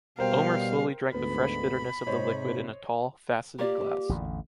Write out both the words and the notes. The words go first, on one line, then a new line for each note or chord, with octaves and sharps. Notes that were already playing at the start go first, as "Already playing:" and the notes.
Omer slowly drank the fresh bitterness of the liquid in a tall, faceted glass.
B2 G3 A#4 C5 F5 G5
D2 G#2 B3 B5
G#2 C3 C5 C#5 D#5
A#3 F4 G4 D5
A1 E2 D3